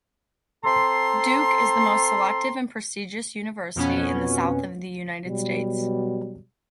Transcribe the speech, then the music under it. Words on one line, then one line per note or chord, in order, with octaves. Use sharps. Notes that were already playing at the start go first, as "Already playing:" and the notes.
Duke is the most selective and prestigious university in the south of the United States.
C4 A4 A5 A#5 C6
F2 B2 B3 C#4
B2 F#3 G3